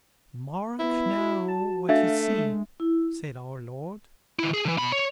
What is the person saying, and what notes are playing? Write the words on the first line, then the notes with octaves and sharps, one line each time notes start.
'Mark now, what you see', said our Lord.
B3 E4
F#4
A5
A3 D4 E5 F5
G#3
E4
D#3 E4
G#4
D3 E3
B2 B5
C#5